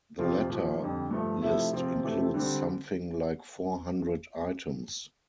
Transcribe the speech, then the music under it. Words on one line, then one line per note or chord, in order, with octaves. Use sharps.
The latter list includes something like four hundred items.
F2 C3 F3 C4 F4
A#2 F3 A#3
F2 D3 G3
G2 F3 A3
C3 F3 A3 E4
C3 F3 C4 F4
C3 E3 A3 C4
D3 G3 C4